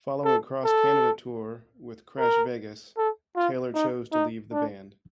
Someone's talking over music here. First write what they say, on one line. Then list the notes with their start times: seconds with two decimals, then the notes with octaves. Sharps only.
Following a cross-Canada tour with Crash Vegas, Taylor chose to leave the band.
0.25 A4
0.65 A4
2.19 A#4
2.97 A4
3.36 F4
3.75 D#4
4.13 D#4
4.53 D4